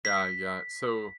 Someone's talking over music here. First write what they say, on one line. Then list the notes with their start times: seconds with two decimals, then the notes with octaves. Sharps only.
Yeah, yeah, so,
0.05 B6